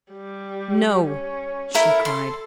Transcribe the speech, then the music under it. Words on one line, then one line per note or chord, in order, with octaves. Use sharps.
"No!" she cried.
G3
C#4
E4 A4 A#4
C6